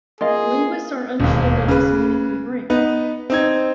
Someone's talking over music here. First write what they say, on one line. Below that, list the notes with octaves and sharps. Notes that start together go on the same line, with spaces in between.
Linguists are unsure what this meaning could bring.
A#3 F4 G#4 D#5 F5
E1 D#2
C#3 B4
B3 D#4 B4
C4 D#4 G#6